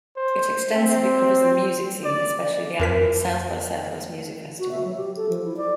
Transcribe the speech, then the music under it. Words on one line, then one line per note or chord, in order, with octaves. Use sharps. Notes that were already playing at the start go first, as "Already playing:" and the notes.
It extensively covers the music scene, especially the annual South by Southwest Music Festival.
C5
C4
D5
F2 A#4 B6
F#4
E5
F#3
G4
A4
F3
E4
D5